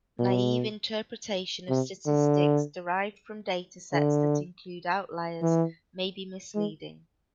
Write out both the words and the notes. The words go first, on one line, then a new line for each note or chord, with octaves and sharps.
Naive interpretation of statistics derived from data sets that include outliers may be misleading.
B2
C3
D3
D3
E3
G#3